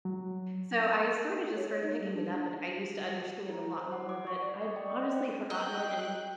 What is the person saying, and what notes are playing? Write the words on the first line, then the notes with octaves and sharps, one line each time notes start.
So, I sorta just started picking it up, and I used to understand a lot more, but I'd honestly forgotten it, and
F#3
C#5
C#5
D#4
G3
D4
D4
E4
C5
F#5
D6
C#6
D5
D#5
G5
C5
D#5 G5 F#6